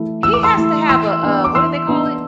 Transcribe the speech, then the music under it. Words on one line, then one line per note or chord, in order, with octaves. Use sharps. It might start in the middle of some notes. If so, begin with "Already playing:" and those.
He has to have a a what do they call it?
Already playing: E3 A3 E4
E3 E6
D6
C6 E6
A3 E4
E3 C6 E6
B3 D4
D6
E3 C6 E6
B3 D4